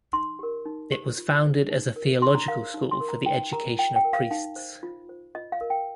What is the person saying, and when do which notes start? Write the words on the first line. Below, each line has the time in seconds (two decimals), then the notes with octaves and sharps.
It was founded as a theological school for the education of priests.
0.13 D#4 C6
0.39 G4 A#4
0.66 D#4
0.92 G4 C5
1.18 F4
1.44 C5
1.70 D#4
1.96 A#4
2.22 D#4 C6
2.35 A#5
2.48 A#4 F5
2.74 D#4
2.91 C6
3.00 A#4
3.09 A#5
3.26 D#4 G5
3.52 G4 A#4 A#5
3.78 F4 G5
3.96 G5
4.05 A#4
4.13 F5
4.31 D#4 F5
4.56 C5
4.83 F4
5.09 C5
5.35 F4 D#5
5.52 F5
5.61 A#4
5.70 G5